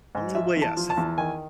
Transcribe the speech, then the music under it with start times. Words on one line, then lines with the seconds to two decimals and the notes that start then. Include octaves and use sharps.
Mm, well, yes,
0.15 G#2
0.35 F3 E5
0.56 E2
0.62 A5
0.77 F3
0.90 A5
0.97 E2
1.18 D#3 G#5